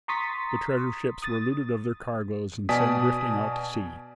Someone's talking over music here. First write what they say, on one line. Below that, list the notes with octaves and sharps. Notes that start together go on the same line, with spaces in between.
The treasure-ships were looted of their cargoes and sent drifting out to sea.
A#5 C6 C#6 D#6 A6 B6
D#6 A6
B2 D5 G#5 A5 D#6 B6